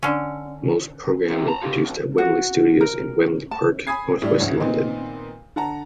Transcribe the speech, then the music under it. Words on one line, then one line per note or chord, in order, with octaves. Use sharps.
Most programmes were produced at Wembley Studios in Wembley Park, north-west London.
D3 C#4
A#2 C4
A5 A#5
F4 G4
B1
F#4
A#4
A5
G#5 B5 D#6 G#6 C7
A2 G3 D4
A1 D2 C#3
A#2 D#3 B3 C4 D#4
D3 F#5 A5 A#5